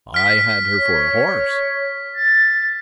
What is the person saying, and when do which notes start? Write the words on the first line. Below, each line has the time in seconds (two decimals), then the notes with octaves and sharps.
"I had her for a horse."
0.14 F6 B6
0.77 C#5
2.14 A6